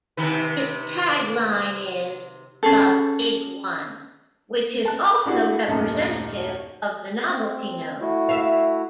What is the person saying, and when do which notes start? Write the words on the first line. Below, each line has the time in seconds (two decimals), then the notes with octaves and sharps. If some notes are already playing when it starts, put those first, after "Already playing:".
Its tagline is "The Big One" which is also representative of the novelty nose.
0.17 C3 D#3 B4
2.63 C#4 G#4 A4
4.85 A5 F#6
5.25 D4 E4 F#4 G#4 D5
5.67 D#1 F#2 A3 A#3 D#4 A5
7.25 C4
8.01 A3 E4 F#4
8.29 E5 F5